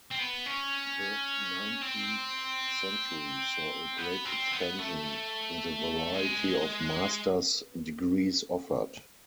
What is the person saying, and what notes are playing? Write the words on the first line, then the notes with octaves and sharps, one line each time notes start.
The nineteenth century saw a great expansion in the variety of master's degrees offered.
C4
B3
C#4
C4
B3
C4
B3
A3
G#3